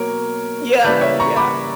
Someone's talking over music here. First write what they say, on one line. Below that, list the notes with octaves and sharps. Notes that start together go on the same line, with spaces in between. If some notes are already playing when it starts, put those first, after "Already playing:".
Yeah, yeah.
Already playing: B2 F#3 A#3 A#4 C#5
C#3 E3 G3 A#3 B4 D5
C#5 E5
A#5 C#6
B5 D6